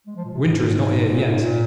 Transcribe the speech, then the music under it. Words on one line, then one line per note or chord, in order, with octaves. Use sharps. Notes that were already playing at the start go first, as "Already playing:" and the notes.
'Winter is not here yet.
G#3
F3
A#2
C3
G#2
A#2
G#2
A#2